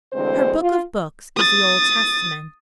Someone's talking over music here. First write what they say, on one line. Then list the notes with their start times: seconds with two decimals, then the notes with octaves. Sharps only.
Her book of books is the Old Testament.
0.13 D2 D3 E3 G#3 C4 C5
0.60 F4
1.37 D#6 A6